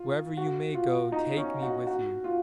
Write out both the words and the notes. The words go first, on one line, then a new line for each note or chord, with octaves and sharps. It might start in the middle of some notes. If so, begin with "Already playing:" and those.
Wherever you may go take me with you!'
Already playing: F4
F#4
F4
D#4
C#4
F#4
F#4
F4